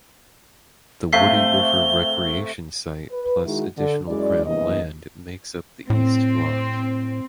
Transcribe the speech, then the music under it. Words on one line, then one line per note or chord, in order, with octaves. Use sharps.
The Woody River Recreation Site plus additional Crown land makes up the East Block.
C3 A3 F5 B6 C7 G7
B4
D#3 G#3 D#4 E4 F#4
D3
F#2 G#3 E4 D5
E2 G2 C3 E3 A#3 D#5
A2 C4